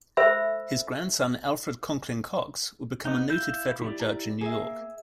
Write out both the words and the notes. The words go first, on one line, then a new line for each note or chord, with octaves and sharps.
His grandson Alfred Conkling Coxe would become a noted federal judge in New York.
A4 C5 E5 B5 E6
B3 D#4
E4 F5 G6
E4 G4 D5
A#5
A#3 G#4 E5